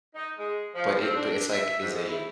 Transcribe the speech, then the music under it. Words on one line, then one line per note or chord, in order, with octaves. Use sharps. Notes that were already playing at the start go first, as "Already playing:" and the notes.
But it but it's, like, is a
D#4
G#3
F3
C4
D4
E5
G#2
E4